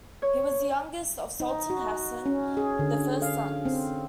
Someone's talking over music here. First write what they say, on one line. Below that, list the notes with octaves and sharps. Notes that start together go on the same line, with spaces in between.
He was the youngest of Sultan Hassan the First's sons.
C#5
D#4
F#4
C#4
G#4
D3
F5
C4